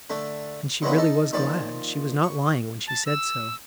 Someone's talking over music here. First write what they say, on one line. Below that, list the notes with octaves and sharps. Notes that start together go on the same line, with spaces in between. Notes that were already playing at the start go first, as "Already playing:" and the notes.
And she really was glad, she was not lying when she said so.
D3 A3 D4
A#2 C#3 E3 G#3 B3
D#4 A4
A#2 D#3 F3 D5 G5
C#6
A5
E6